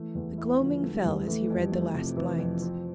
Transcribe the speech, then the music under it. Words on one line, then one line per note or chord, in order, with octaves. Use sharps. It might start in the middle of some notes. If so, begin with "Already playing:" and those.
The gloaming fell as he read the last lines.
Already playing: E3 A3
E2
E4
D3 F3
A3
G3
E2
E3 A3
F2
G3
A3
C3 F3
E3
F2
C4